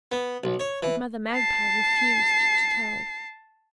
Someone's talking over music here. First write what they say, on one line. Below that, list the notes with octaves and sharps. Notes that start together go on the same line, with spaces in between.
But Mother Magpie refused to tell.
B3
B1
C#5
E3
A5 C7